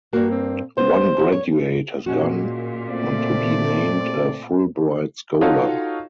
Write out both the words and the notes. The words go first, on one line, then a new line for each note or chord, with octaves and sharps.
One graduate has gone on to be named a Fulbright Scholar.
G2 A#3 F#4
C4
B3 C5
F#4
C#5
A#2 G#3 C#4 F#4
A3 C4 D5
D#4 F4 F#4 A4 C#5 F5